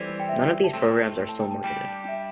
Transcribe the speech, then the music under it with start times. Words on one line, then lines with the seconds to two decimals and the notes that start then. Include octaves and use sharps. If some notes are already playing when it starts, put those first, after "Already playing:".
None of these programs are still marketed.
Already playing: E3 G3 C4 E4 G4 A4 C5 D5
0.20 G5
0.29 E5
0.64 A5
0.73 A2 A3 C4 G5
1.29 A5
1.40 G5
1.51 A5
1.63 G3 D4 G4 G5
2.04 G5
2.08 E5